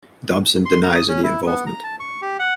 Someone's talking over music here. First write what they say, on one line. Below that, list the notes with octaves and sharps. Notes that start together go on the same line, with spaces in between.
Dobson denies any involvement.
C6
A#5
D#6
C#4
E4
B3
A#5
A5
C#6
G4
F#5